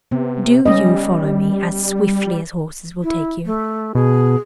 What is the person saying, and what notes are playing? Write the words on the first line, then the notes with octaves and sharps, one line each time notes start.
Do you follow me, as swiftly as horses will take you.
C3 B3
G3 C#4 D#5
E4
A3
B2 G#4